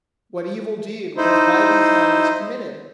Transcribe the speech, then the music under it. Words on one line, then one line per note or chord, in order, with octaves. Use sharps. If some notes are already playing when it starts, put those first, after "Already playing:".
What evil deed Was by these hands committed?
D#4 E4 C5